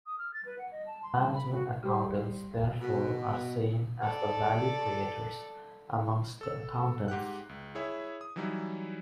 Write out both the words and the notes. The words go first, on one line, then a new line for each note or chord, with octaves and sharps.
Management accountants therefore are seen as the "value-creators" amongst the accountants.
D#6
F6
A6
B4
F#5
D#5
A5
C6
A5
B5
F#4
G3 G4 C5
B2
A4 D5
A4 E6
G#2 G4 F#5 F#6
C#2
E4 G#4 C#5 E5
D#6
E3 F#3 G3 D#4 E4